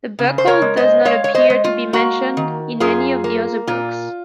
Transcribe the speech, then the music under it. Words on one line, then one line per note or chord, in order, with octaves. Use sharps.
The buckle does not appear to be mentioned in any of the other books.
C#3
C5
A#4 C#5
G#3
C5 D#5
G#3 C#5 F5
C#5
C5 D#5
G#3
F4
A#3 F#4
D#3
F#2 F4 G#4
A#3
A#2 F4